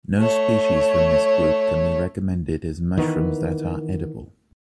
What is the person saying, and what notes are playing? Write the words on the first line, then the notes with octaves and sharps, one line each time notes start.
No species from this group can be recommended as mushrooms that are edible.
A3 C#5
D#3 E3 B3